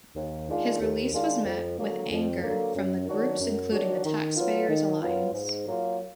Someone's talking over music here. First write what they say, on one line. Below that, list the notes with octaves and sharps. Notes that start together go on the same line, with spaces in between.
His release was met with anger from groups including the TaxPayers' Alliance.
D#2
D#3 G#3 D4 F4
D#2
D#3 G#3 D4 F4
F2
D3 F#3 A#3
F2
D3 F#3 A#3
F#2
D#3 F#3 D4 F#4
F#2
D#3 F#3 D4 F#4
D#3
F#3 B3 F4
D#3
F#3 B3 F4
G#2
F#3 A#3 F4